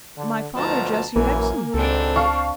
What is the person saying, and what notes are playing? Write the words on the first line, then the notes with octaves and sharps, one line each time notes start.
'My father, Jesse Hexam.'
D3
D2 B2 F3 A5 A#5
A#1 F#2 E3 A#3 G#5
G#1 C#2 C4 D4 A4
F5 A5 C#6